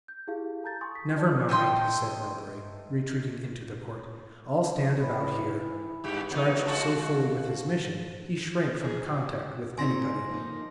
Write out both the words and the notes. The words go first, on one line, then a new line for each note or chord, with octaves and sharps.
"Never mind," said Melbury, retreating into the court, "I'll stand about here." Charged so fully with his mission, he shrank from contact with anybody.
G6
E4 G4 G#4 F5
A4 A5 A#5 G6 A6
G#5 C6 C#6 D#6 A6
B6
E4 D5 A5
A3 D#4 G5 C6
E3 E4
G2 G4
E2 F#3 D#4
D3 G#3 F4 F#4 A4
D#4 G#4
F#4 G4
A3 C4 D#4 G#5 C6 A#6
F3 A#3 D#4